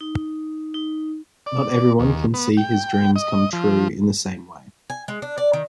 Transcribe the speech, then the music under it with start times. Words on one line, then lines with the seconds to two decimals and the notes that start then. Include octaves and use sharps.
Not everyone can see his dreams come true in the same way.
0.01 D#4
0.74 D#4
1.46 D5
2.00 D#2
2.34 B3
2.57 G5
2.94 G5
3.16 D#5
3.53 F3
4.90 G#5
5.08 G#3
5.22 D4
5.38 D5
5.53 D#3